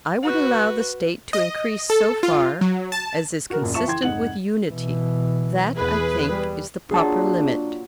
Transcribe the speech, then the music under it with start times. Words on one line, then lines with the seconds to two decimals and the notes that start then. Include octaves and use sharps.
I would allow the State to increase so far as is consistent with unity; that, I think, is the proper limit.
0.23 F#4 B4
1.33 D#5
1.90 A4
2.23 F4
2.61 F#3
2.92 A5
3.50 F#4 A#4
3.61 E1 A#1 F#2
3.74 F3 E5 A5 C#6 E7
3.87 E3 G5 C6 G#6
4.02 F1 G#2 D#4 F#5 F#7
4.69 B2 E3
5.76 E2 G#4 B4
6.30 G3
6.91 A#2 F#3 D4 G#4 A5